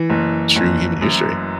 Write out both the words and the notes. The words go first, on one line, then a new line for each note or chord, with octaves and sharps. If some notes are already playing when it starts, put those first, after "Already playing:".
true human history.
Already playing: E3
F#1
F#1
F#2